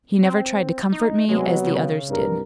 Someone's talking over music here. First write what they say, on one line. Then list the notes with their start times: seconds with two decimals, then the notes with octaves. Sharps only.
He never tried to comfort me as the others did.
0.23 C4
0.92 D#4
1.29 C3 F#3 G#3 B3
1.64 C#3
2.09 C2 G2 A#4